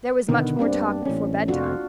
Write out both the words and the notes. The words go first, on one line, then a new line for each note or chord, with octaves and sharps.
There was much more talk before bedtime.
B2 D3 D#3 B3
G2 A#3 C4 D4
A1 C#4
F1 F2 D4 F4 F#4